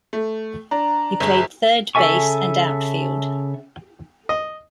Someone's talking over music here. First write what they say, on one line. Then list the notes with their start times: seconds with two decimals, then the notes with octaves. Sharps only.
He played third base and outfield.
0.13 A3
0.71 D4 A#5
1.20 G1 G#4
1.95 C#3 A4 E5 G#5 C#6
4.29 D#5